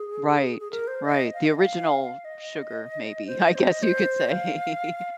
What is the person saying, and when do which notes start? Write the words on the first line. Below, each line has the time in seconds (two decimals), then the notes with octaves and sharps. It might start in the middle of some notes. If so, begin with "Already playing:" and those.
Right, right, the original sugar, maybe, I guess you could say.
Already playing: G#4
0.59 G#4
0.71 A#4
0.88 C5
1.05 D#5
1.34 F5
1.45 D#5
1.58 F5
2.25 D#5
3.27 C5
3.40 D#5
3.55 C5
3.68 D#5
3.83 C5
4.30 F5